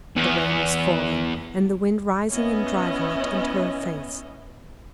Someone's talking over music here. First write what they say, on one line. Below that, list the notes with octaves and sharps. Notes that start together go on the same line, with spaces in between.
The rain was falling and the wind rising and driving it into her face.
E2 B3
B3 C#4 E4 D#5